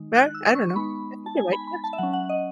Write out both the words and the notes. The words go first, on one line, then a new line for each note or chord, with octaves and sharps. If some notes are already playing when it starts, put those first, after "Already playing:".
They're I don't know. I think you're right, yes.
Already playing: D#3 G#3 D#4
F#6
E6
C#6
C#6
G#3 B3 D#4 B5
A5
G#5
B5
B5
A5
E5
F#3 C#4 F#5
F#5
D#5